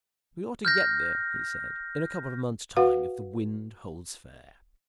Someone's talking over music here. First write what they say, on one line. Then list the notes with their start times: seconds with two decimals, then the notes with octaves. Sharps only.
"We ought to get there," he said, "in a couple of months' time if the wind holds fair."
0.65 F6 G6 A#6
2.76 F#4 B4 F5 F#5